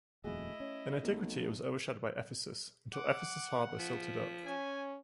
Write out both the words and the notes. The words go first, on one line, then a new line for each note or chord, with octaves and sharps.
In antiquity it was overshadowed by Ephesus, until Ephesus' harbor silted up.
D#1 F2 A3 E4 F#4 G#4 D#5
C#4 C#5
B1 A3 A#3
F#5 D6
F3 B6
C#4 G#5